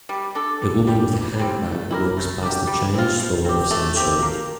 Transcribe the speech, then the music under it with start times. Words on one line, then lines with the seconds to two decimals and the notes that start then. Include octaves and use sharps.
A woman with a handbag walks past a chinese store of some sort.
0.09 G3
0.35 D4 A4
0.62 D3
0.87 G3 D4 G4
1.13 E3
1.39 G3 C4
1.64 A3
1.91 E4 G4 A#4
2.17 A3
2.43 D4 G4
2.67 G3
2.94 C4 F4
3.19 F3
3.45 C4 G4
3.71 A3
3.96 C4 G4
4.22 A#3